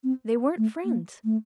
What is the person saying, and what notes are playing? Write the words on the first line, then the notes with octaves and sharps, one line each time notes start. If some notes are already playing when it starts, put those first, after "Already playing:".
They weren't friends.
C4
A3
A#3
A3